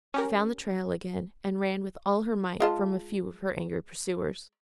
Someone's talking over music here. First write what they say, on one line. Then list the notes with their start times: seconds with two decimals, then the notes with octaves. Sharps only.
She found the trail again, and ran with all her might from a few of her angry pursuers.
0.14 C#4 G4 A#4
2.60 G#3 F4 A5